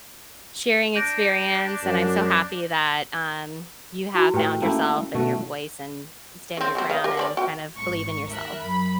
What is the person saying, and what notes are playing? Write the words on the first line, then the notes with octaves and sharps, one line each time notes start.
sharing experience, and I'm so happy that, um, you have found yourself and your voice and you stand your ground and kind of believe in yourself.
D4 G6 A#6 D7
F#2
D#4 E4 F#4
A2 G4 B4 G5
A3 A#3 C#4 D4 E4
B2 A3 F#4
C#3 C4
F#3 G3 C4
B4 F5
G4 A#4
B4 C5 D5
F#4 G5
G#1 C#6
D#2 A#4 E5 F#6
F#2 B5